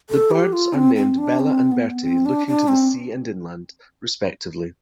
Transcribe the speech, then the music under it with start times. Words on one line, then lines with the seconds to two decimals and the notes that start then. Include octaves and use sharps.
The birds are named Bella and Bertie, looking to the sea and inland, respectively.
0.10 A4
0.31 G4
0.53 F4
0.74 C4
0.96 C4
1.18 D4
1.39 C4
1.72 B3
2.04 C4
2.25 D4
2.48 D4
2.68 C4